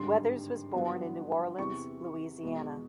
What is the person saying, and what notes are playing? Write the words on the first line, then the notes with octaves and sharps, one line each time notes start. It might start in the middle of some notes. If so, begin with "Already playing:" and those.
Weathers was born in New Orleans, Louisiana.
Already playing: G#1 G2 D3 G3 C6
G2 D3 F#3 B3 D4
E2 C3 E3 C#6
E2 B2 G#3